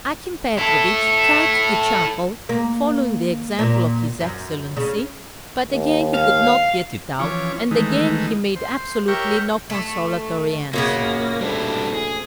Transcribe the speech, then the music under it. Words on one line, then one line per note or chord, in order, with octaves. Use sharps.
Akim Petrovitch tried to chuckle, following the example of his Excellency, but again he could not get it out, and again he made absolutely no consolatory answer.
E4 A4
A#3
A#2
F#2
C#3
D#2
F5
E3 F3 C#4 C#5 D6
D#3 E3 G#3 A3 B3 D#4
C5
G4 A#4 C#5 E5 G5 C#6
A3
F#2 A#2 C#3 A#3 B3
D2 G3 D4 E4
G#4